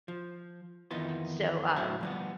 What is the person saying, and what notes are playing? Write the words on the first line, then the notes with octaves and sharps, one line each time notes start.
So, uh,
F3
F2 D#3 E3 B3 D#4 F4
D2 A2 F#3 C5 C#5 E5
F3 G3 B3